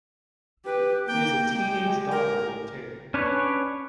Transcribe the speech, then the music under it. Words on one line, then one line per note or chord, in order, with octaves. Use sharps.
He has a teenage daughter named Taylor.
G4 B4
A#3 G5
G#3 G4
A#4
C#4 D4 B4 C#5